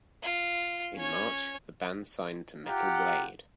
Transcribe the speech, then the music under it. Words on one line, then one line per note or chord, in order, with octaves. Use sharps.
In March, the band signed to Metal Blade.
F4
C#4 C#5
F4 G4 F#5 A#5